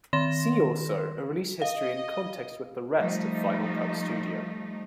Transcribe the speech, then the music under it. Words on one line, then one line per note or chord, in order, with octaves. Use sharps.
See also a release history in context with the rest of Final Cut Studio.
D#3 C6 A#6 E7
D#5 F5
F3 G3 A3 D#4